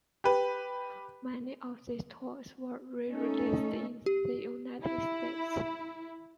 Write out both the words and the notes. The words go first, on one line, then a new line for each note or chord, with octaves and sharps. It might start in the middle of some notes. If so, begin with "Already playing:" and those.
Many of these toys were re-released in the United States.
G4 B4
A3 C#4 D#4 A4
G4
E4